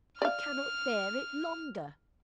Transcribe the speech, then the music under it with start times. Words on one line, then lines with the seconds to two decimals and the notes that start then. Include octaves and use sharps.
I cannot bear it longer!
0.22 D5 F5 F6